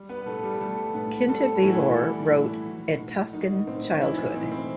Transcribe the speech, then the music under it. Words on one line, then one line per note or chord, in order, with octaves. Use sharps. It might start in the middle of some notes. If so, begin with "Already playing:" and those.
Kinta Beevor wrote "A Tuscan Childhood".
Already playing: G3
B3 B4
A2 A3 A4
G3 G4
G3 A3 A4
A2 B3 B4
G3 A3 A4
F#4
A2 E3 E4
G3
A2
F#3
A2
D#3 F#3 D#4
A2 C4
E3 F#3 E4
D#4
E3 E4
A2 C4
C4